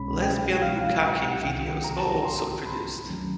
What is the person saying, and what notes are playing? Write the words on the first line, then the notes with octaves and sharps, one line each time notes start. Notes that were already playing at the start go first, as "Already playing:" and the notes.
"Lesbian bukkake" videos are also produced.
Already playing: C2 B2 G#3 C#4 B5
G5
F5
F#5
C2 C3 D#3 G5
A#5
A5
A#5
C6
B5
F#2 D#3 F#3 A3 C#4